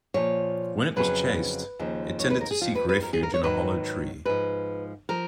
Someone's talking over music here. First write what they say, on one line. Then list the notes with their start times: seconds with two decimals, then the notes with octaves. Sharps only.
When it was chased, it tended to seek refuge in a hollow tree.
0.14 A#2 F3 C#5
0.96 F2 C#3 F#3 B4
1.79 D#2 C#3 F3
2.20 C#5
2.30 B4
2.41 A#4
2.51 G#4
2.61 F2 F3 F4
2.75 B4
2.89 B4
3.02 A#4
3.13 G#4
3.23 A#4
3.34 C#5
3.43 G#2 D#3 F#3 B4
4.25 G#2 F3 B4
5.09 F3 A#4